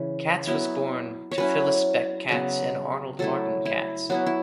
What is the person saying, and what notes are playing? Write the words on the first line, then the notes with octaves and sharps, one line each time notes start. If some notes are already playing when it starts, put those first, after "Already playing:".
Katz was born to Phyllis Beck Katz and Arnold Martin Katz.
Already playing: C#3 E3
F#3 B3 E4
C#5
F#3 C#4 E4 B4
C#3 F#3 B3
F#3 A3 E4 A4
E4
F#3 B3 E4 F#4
E4